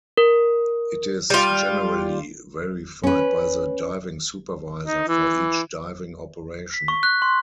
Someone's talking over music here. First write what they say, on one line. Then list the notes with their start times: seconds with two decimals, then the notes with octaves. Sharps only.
It is generally verified by the diving supervisor for each diving operation.
0.18 A#4
1.30 G3 F4
3.03 C#4 B4
4.84 D#4
5.08 E3
6.74 B6
6.88 C#6
7.03 F#6
7.22 C6